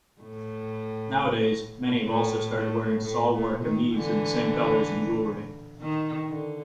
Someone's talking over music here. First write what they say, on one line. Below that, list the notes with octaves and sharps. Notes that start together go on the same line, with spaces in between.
Nowadays many have also started wearing salwar kameez in the same colours and jewellery.
A2
A2
A2
A2
A#2
D#3
D3 E3
D#3
D3